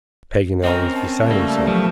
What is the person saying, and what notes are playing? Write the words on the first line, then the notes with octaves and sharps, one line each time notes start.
Paganel was beside himself.
C4 C#4 A#4 D#5
A5
C#3 G3 A3 A#3
B2 F3 F#3